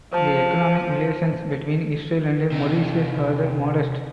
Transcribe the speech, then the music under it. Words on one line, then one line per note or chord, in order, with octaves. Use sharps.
The economic relations between Israel and Mauritius are modest.
F3 C5 A5
C3 D#4